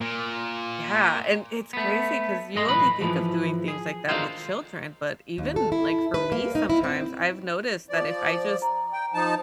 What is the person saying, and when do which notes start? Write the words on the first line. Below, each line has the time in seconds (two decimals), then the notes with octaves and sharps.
Yeah, and it's crazy 'cause you only think of doing things like that with children, but even, like, for me sometimes, I've noticed that if I just
0.01 A#2
1.73 A3 B3
2.55 G#2 G#3 D#5 C6
2.68 B1 E2 A2 B4 B5
3.00 G#2 E3 F3
3.68 G#4
4.09 D3 D#3 G#3 F4 C5
5.38 D#2
5.56 A4
5.72 E4
6.14 B4
6.32 A#3
6.55 D#4
6.70 E4
6.83 C4
7.88 F3 D5
8.62 A#5
8.93 G5
9.14 F3 D#4 A5